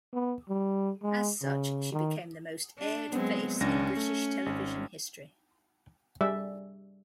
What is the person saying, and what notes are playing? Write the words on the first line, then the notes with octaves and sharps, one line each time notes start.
As such she became the most aired face in British television history.
B3
G3
G#3
C#3
D#3
D4
F#3 G#3 B3 C4
C#2 C#4 D4 A#6
A3
G#1
G3 G#4 D5 E5